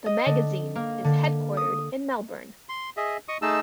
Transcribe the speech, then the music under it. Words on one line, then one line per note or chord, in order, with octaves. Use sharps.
The magazine is headquartered in Melbourne.
D#5
D3
A#3
D3
D#6
C6
G#4 D#5 E5
D#5 C#6 D#6
A3 D#4 G#4 D#5 A5 E6